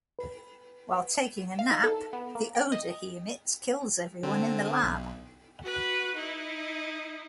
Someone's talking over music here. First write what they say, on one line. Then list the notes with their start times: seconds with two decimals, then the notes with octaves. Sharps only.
While taking a nap, the odor he emits kills everyone in the Lab.
0.19 B4
1.59 F5
1.71 D#4
1.84 A4
2.13 B3
2.35 A#3
2.55 G5
2.72 D#5
4.23 D3 C4
4.82 B1
5.63 F#4 B4
6.15 D#4 E4